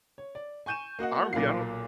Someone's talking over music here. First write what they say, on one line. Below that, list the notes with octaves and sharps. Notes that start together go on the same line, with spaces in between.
RnB, I don't
C#5
D5
G#5 C#6 G6 D#7 E7
A#3 F#4 D#5 F#5
B1 A#2 A#3 F4 C7